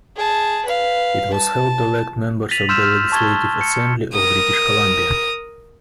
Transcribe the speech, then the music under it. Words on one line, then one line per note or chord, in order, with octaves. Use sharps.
It was held to elect members of the Legislative Assembly of British Columbia.
G#4 A5
B4 F5
A5
A6 B6 D#7 F7 F#7
C6 E6 F6 G6 B6 E7
F6
A5 C#6 G#6 A6 G7
C#7
A#4 D#6